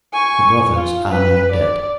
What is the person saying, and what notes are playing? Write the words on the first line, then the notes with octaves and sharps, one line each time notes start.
The Brothers are now dead.
G#5 C#6
F4
B4
D5